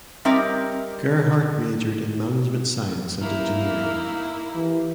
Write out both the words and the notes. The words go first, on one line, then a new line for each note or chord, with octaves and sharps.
Gerhart majored in Management Science and Engineering.
G3 C4 D#4 A#4 D5 E5
A#3 D#4 E4 F6
E3 G4